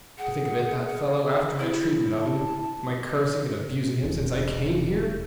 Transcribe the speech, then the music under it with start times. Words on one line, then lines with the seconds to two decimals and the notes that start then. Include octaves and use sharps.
To think of it—that fellow, after my treatment of him—my cursing and abusing him since I came here!
0.18 G#4 F#5
1.59 E4
2.20 A5
4.04 E1